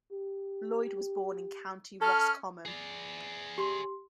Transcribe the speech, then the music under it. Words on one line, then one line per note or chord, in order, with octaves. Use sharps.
Lloyd was born in County Roscommon.
G4
C#4 A4 F6
G#4 D5
G4 C6